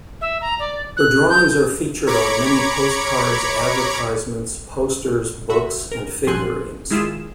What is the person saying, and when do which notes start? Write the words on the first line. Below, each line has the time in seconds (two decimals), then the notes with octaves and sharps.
Her drawings are featured on many postcards, advertisements, posters, books and figurines.
0.21 E5
0.41 A#5
0.59 D5
0.97 F#6
1.30 G6
2.07 C#5 A#5 B5 D6 G#6 C#7
5.50 F#4 E5
5.92 A#4
6.27 A#1 F3 C4 G#5 C6 F#6
6.90 D#3 G#3 E4 F4 G#4 E7